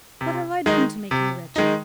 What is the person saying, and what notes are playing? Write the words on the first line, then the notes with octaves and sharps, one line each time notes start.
"What have I done to make you wretched?"
C3
D#3 G#3 D#4
C3
D#3 G#3 D#4